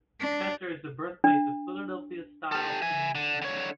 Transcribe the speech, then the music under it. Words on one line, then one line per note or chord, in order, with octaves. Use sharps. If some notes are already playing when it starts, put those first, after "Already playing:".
Chester is the birthplace of Philadelphia-style cream cheese.
D4
D4
G4 A4
E5 G#5
D3
D3 C#5